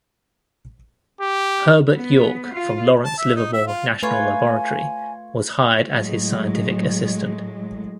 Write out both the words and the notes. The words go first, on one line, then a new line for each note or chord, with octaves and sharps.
Herbert York from Lawrence Livermore National Laboratory was hired as his scientific assistant.
G4
B3
F4
A5
E5
D#4
E5
F4
A3 F4 B4 C#5 F5 G#5
A2 F#3 G#3